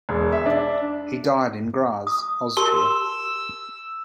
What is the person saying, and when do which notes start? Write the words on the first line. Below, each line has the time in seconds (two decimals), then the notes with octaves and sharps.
He died in Graz, Austria.
0.09 E1
0.32 E5
0.46 D4
2.07 D#6
2.57 G4 A#4 A5 C6 E6